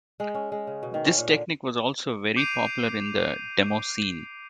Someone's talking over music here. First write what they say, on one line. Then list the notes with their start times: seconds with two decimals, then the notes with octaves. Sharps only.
This technique was also very popular in the demoscene.
0.20 G#3
0.35 C#4
0.52 G#3
0.67 C#3
0.83 B2
0.94 D#3
1.05 C#4
1.18 A#2
1.29 D3
2.36 D6 G6 C7 D7 D#7 F7